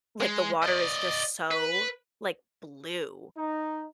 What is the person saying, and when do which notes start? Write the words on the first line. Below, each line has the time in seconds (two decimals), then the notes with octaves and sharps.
like, the water is just so, like, blue
0.21 G#3
0.63 D5 D#5
1.51 B4
3.36 D#4